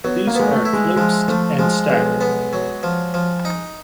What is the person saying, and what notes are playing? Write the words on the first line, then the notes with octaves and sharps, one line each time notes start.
These are eclipsed and staggered.
F#3 B3
A#3
G#3 B3
A3
E4
G#3
F3 G#3
F3 A3
F3 G#3
B1 G#3
B3
F#3
F3
F3
D#4